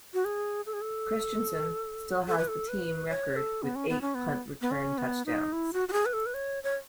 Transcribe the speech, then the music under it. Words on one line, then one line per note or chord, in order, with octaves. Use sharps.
Christiansen still has the team record with eight punt return touchdowns.
F#4
G#4
A4
G#4
A4
A4
B4
A4
B4
C#5
A4
B3
C#4
B3
C#4
B3
B3
C#4
B3
D#4
E4
F#4
F#4
G#4
B4
A4
B4
C#5
C#5